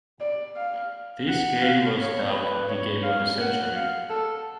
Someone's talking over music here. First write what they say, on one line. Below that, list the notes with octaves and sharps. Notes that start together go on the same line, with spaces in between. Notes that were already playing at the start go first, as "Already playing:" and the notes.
This game was dubbed the "Game of the Century".
D5
F5
F#5
F5
C#5
B4
C#5
F5
F#5
F5
A4